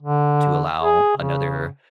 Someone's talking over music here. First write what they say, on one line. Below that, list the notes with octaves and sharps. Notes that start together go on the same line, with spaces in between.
to allow another,
D3
G#4
C#3